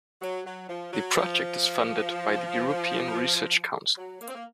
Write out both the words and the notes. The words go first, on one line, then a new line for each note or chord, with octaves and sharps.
The project is funded by the European Research Council.
F#3
F#3
F3
F#3
F3
F#3
A#3
C4
A#3